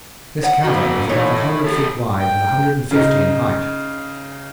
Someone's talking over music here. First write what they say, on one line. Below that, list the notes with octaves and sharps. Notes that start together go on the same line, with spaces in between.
This cavern was about a hundred feet wide and a hundred and fifty in height.
F#5
F2 C#3 F3 A#3 F#4
A2 E3 D#4 C#5
G4 A4
G5
C#3 D#4